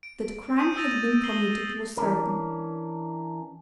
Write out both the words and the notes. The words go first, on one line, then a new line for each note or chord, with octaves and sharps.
That crime had been committed was certain.
D7
D#6 G6 D#7
E6 G6 A6 A#6 D#7 F7
E6 C7 F#7 G7
E3 C#4 D4 A#4